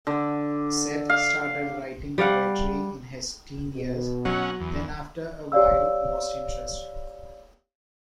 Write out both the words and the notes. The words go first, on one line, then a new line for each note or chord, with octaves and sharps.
Seth started writing poetry in his teen years, then after a while lost interest.
D3
F5
G3 D5 F5 F#5
B2
F#3 C#4 F#5
E2
G4 C#5 D5 F5 E6